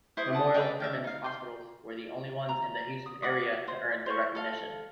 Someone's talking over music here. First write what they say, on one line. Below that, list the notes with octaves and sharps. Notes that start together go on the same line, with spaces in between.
Memorial Hermann's hospitals were the only ones in the Houston-area to earn the recognition.
E4 C5 D#6
F#5 A5 D#6
B4 D5 D#5 G5
E5 F5 G5
D#4 F5
G5 C6
A#5
D#6
F#5 D6 D#6
C5
C5 C#6
A4 F5